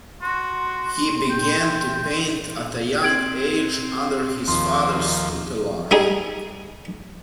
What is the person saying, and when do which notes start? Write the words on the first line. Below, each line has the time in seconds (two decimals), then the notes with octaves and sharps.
He began to paint at a young age under his father's tutelage.
0.22 F#4 C6
1.30 G5
3.03 C4 G#6 D7 F#7
4.48 D#2 F3 C6
4.95 D#4
5.91 G3 D#4 G#4